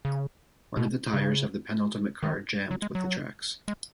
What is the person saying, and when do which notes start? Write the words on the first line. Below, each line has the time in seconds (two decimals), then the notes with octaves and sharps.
One of the tires of the penultimate car jammed with the tracks.
0.05 C#3
0.77 B2
1.14 C#3
2.23 D#3
2.71 F#3
2.82 G#3
2.95 F#3
3.68 G#3